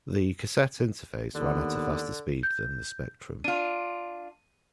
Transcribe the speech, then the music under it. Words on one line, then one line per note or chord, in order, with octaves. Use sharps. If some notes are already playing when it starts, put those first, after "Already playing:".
The cassette interface ran at a faster speed than the Spectrum.
D#2 D3 B3
G6
D4 F4 D#7